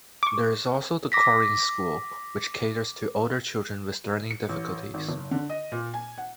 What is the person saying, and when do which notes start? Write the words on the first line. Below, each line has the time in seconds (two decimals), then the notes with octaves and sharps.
There is also the Coreen School, which caters to older children with learning difficulties.
0.23 C#6 D6
1.12 D6 A#6 B6
4.31 C#7
4.49 A1
4.94 G#1
5.08 F#1
5.31 D3
5.50 D#5
5.72 A#2
5.94 G#5
6.18 F#5